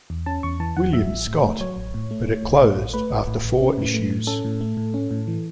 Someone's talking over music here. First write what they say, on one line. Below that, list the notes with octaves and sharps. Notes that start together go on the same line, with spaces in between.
William Scott; but it closed after four issues.
E2
C#4 A5
E2 C#6
E3 A5
E2 F#5
F#3 E5
A1
A2
A3
F#3 C#5
A1
A2
A3
A3
A1
A2
A1
A3 B4
A1
A2
A1
C#4
A2
A3
A2
C#4 A4
A2
A3
A2
C#4
A2
E3